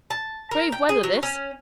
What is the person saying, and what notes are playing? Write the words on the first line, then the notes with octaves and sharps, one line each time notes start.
Brave weather this!
A5
A#4
G5
G#4
F#3
C#4